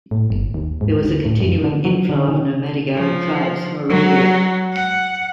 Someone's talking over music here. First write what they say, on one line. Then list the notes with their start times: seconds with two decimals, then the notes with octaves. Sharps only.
There was a continuing inflow of nomadic Arab tribes from Arabia.
0.11 A2
0.30 G1
0.54 D#2
0.81 G#2
1.05 D2
1.25 A2
1.40 F#2
1.64 D3
1.85 F#3
2.09 D3
2.28 D#3
2.95 F3
3.88 F#3
4.73 F#5